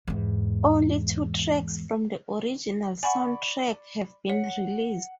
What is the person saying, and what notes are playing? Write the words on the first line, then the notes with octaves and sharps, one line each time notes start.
Only two tracks from the original soundtrack have been released.
E2 G#2
D5 F#5 G#5 B5 C#6
C#5 F#5